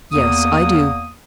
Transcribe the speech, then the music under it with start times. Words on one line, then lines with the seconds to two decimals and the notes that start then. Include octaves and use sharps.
"Yes, I do."
0.12 E2 A#3 D#6